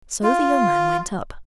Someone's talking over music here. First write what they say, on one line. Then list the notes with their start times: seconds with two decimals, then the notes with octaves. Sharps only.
So the young man went up.
0.23 F4